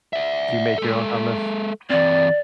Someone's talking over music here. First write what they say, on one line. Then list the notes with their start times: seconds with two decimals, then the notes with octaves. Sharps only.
Do you make your own hummus?
0.13 D5 E5
0.78 G#3 A4
1.90 E3 C4 D5